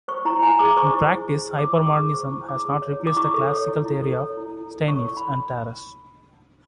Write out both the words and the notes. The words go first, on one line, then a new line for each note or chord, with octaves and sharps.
In practice, hypermodernism has not replaced the classical theory of Steinitz and Tarrasch.
C5 C#6
E4 A#5
E4 G#5
G#4 D6
C5 C#6
E4
E4
G#4
C5
E4 D6
C#6
E4
D6
G#4
C5 C#6
E4
E4 D6
G#4
C#5
E4
D6
E4 C#6
A4
C#5
E4
E4
A4
C#5
E4
E4
A4
C#5 C#6
E4
B5